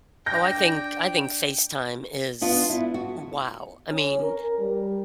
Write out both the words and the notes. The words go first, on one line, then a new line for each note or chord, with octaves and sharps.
Oh, I think I think FaceTime is, wow. I mean,
D4 G5 G6 A#6
B3 D4 F4
E4
F#4
C#4
A#4
G3